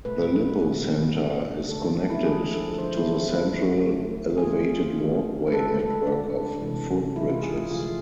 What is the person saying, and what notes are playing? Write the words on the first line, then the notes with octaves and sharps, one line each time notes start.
The Lippo Centre is connected to the Central Elevated Walkway network of footbridges.
B2 A3 B4
B2 A3
D3 A3
D3 A3 A4
D4
E4
D3 F3 G#3 G#4
A4
D3 F3 G#3 C5
E4
E4
D3 A3
D3 A3
G#4
D3 A3 F4
D3 A3
B4
D3 G#3 A4
A4
D3 G#3 D4
C3 E3 G#3
C3 E3 G#3 E4
F4
G#4
G#4
D3 F3 A3 F4